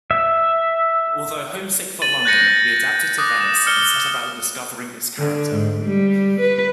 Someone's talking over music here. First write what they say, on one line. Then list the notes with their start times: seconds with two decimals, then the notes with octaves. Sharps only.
Although homesick for London, he adapted to Venice and set about discovering its character.
0.11 E5
2.02 A6 D#7 F#7
2.25 F#6 G6 A6 A#6 C#7 D#7
3.18 D6 D#6 F#6 A#6
3.41 E7
3.67 F6 C#7 G7
5.19 D3
5.52 G#2
5.85 G3
6.41 B4